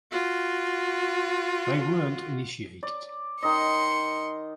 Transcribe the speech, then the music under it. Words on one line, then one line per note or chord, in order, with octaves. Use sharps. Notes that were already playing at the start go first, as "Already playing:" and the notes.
They weren't initiated.
F4 F#4
D5
D#3 D#5 C6 C#7